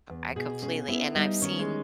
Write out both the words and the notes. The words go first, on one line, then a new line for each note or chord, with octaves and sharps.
I completely, and I've seen
E2
B2 G#4
C#4 G#4
B3 E4
G3 D#4
D#3 C#4
G#3